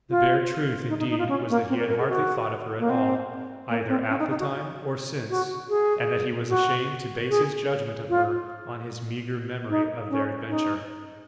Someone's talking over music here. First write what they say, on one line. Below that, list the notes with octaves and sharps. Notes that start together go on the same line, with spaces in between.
The bare truth, indeed, was that he had hardly thought of her at all, either at the time or since, and that he was ashamed to base his judgement of her on his meagre memory of their adventure.
F4
D#4
D#4
D#4
F4
C#4
A#3
C4
A#4
A#4
G#4
F#4
A#3
C4
A#3
C4
C#4
D#4
D#4
F#4
F#4
G#4
F#4
G#4
F4
D#4
C#4
D#4